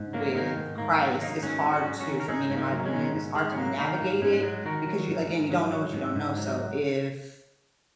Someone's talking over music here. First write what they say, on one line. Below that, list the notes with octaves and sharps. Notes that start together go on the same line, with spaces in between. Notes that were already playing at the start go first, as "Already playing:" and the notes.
with Christ, it's hard to for me, in my opinion, it's hard to navigate it, because you again, you don't know what you don't know, so if
Already playing: G#2
F#3 A#3
D#3 A#3
G#2
G#2 A#3
F#3
D#3 A#3 D#4
G#2 C#4 F#4
G#2
C#4 F#4
F#3
C#4 F#4
D#3
A#4
G#2 D#4 G#4
G#2 C#4
A#3 D#4
F#3
G#3 C#4
D#3
G#2
G#2 G#3
C#4
F#3 A#3
D#3 A#3
G#2 A#3
G#2 G#3 C#4
F#3 G#3
D#3 F#4 A#4
F#3
G#2
G#2
F#3
F#3
G#2
G#2
F#3